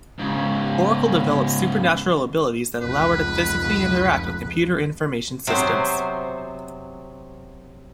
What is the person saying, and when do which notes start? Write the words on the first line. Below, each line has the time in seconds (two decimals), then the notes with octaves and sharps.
Oracle develops supernatural abilities that allow her to psychically interact with computer information systems.
0.19 G#2 C#3
2.82 F1 C#2 B4
5.47 C3 F#3 B3 C5